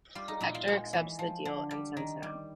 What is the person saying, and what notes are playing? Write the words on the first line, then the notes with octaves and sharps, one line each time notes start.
Hector accepts the deal and sends him out.
G3 F4
D#4
A#2 E4
F4
G#3
E3
F3
D3
G3
D#3
G3